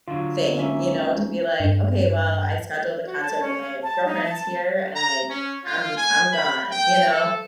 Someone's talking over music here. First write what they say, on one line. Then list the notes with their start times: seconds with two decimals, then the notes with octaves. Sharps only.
thing, you know, to be like, "Okay, well, I scheduled a concert with my girlfriends here, and, like, I'm I'm gone," you know,
0.08 D3 F#3 F4
0.57 G#1 A#3 C#4 E5
1.60 G2
3.05 F#4
3.21 A5
3.41 C#4
3.82 A5
4.05 D#4
4.24 A5
4.95 A#5
5.29 C#4
5.65 F4
5.98 G#5
6.32 B5
6.71 G5
7.11 A4